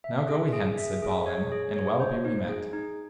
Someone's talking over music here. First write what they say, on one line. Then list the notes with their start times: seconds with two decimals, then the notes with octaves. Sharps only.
Now go we hence, said Balin, and well be we met.
0.04 E5
0.28 G#4
0.53 G#4
0.77 E5
1.03 G#4
1.26 C#5
1.52 G#4
1.76 C#5
2.00 C5
2.25 D#4
2.49 G#4
2.73 D#4